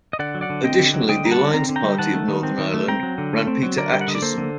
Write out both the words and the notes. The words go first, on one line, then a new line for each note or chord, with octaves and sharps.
Additionally the Alliance Party of Northern Ireland ran Peter Acheson.
D#5
D3 D5 F#5
F#3
D5 F#5
D3
C4 D#5 G5
D3
F#3
D3 D#5 G5
G3 A#5
F#5 A5
D3
C4 A#5
D3
G5 A#5
G3
D#3 F#5 A5
A3
D#3
C4
D#3
A3
C4 G5 A#5
F#3
D3
A3
C4
F#3
D3 A#4 D5
G3 G5
F#5
D3 D#5
D5
A#3 A4 C5
D3